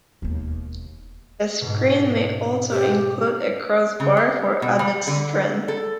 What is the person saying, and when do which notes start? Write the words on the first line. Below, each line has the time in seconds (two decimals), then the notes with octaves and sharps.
The screen may also include a crossbar for added strength.
0.22 E1 D#2
1.61 G#2 B2
2.71 G4
4.00 C#3
4.17 G4
4.62 B2
4.79 G3
5.07 D3
5.68 A4